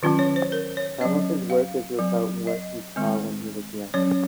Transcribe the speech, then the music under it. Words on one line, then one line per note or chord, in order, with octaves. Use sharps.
Some of his work is about what he saw when he was young.
D#3 F#3 C#4 F4
C#5
C5
A#4
C#5
F#3 C#4 D#5
F5
F#3 C4
D#5
D#3 G#3 C4
F#3 C#4 C#5